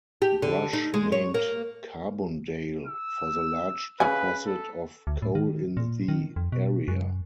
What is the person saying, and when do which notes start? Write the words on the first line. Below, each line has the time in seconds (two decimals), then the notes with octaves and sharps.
Brush named Carbondale for the large deposit of coal in the area.
0.22 G4
0.42 D3
0.73 D#4
0.94 G#3
1.12 C#5
1.34 A#3
2.87 E6
4.00 C#3 B4 G#5
4.46 A4
5.07 D2
5.22 A2
5.35 D#3
5.77 A#2
6.08 D#3
6.36 F2
6.52 B2
6.88 F#2